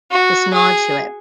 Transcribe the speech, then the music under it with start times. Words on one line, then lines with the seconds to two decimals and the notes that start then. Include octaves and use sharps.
this nod to it.
0.11 F#4
0.54 G#4